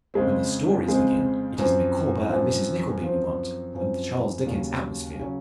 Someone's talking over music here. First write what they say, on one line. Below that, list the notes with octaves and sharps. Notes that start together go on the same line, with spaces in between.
When the stories begin, it is Micawber and Mrs. Nickleby we want, and the Charles Dickens atmosphere.
F2 C#3 G#3 C4
F2 C#3 G#3 C4
F#2 F3 C4
F#2 F3 C4
F#2 F3 C4
F#2 F3 C4
D#2 C#3 F#3 C#4
C#3 F#3 C#4